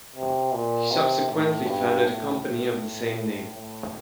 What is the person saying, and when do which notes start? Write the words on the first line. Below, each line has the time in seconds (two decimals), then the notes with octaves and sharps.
He subsequently founded a company of the same name.
0.16 C3
0.54 A#2
0.91 C3
1.29 A2
1.67 G2
2.05 A2
2.42 A2
3.17 A2
3.54 A2